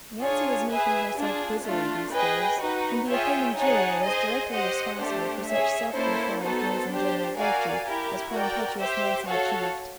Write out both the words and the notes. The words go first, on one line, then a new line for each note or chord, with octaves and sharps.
Nancy was making herself busily these days, and the offending Julia was directly responsible for such self-control and gains in general virtue as poor impetuous Nancy achieved.
D4 F4 G#4 C#5
G#4 B4 E5 G#5
D4 F4 G#4
A3 D4 F4
G#4 B4 D#5 G5
D#4 F#4 B4
F4 G#4 C#5 E5 G5
D#4 G#4 C#5 F#5 A5
G#4 C5 D#5
G4 C5 D#5 F#5
A3 D4 G4 C5
G#4 C#5 E5
A#3 C#4 E4 A4 C5
B3 D#4 F#4 A4 C5
D4 G4 C5
F#4 A#4 D5 F5 G#5
E4 G4 A#4
F#4 A#4 D5 G5
G4 C5 E5 G5
F#4 A4 C#5 F5